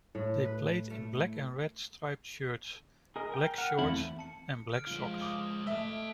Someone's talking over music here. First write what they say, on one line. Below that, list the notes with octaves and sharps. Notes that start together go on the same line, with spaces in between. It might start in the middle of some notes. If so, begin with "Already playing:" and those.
They played in black and red striped shirts, black shorts and black socks.
A2
B4
A3
G#4 A#4 D#5
A#4 G5 F6
F#5 F6
E2 F#3 A3 C4 E4 A4 F5
A5 C#7
D3 F6 D7
F3 G#3 F4
D6 D#6
A3 D#5 E5 A5